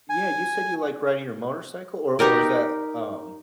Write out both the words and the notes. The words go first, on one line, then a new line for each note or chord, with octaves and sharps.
Yeah, you said you, like, riding your motorcycle, or or is that um
G#5
D#4 G4 A#4 D5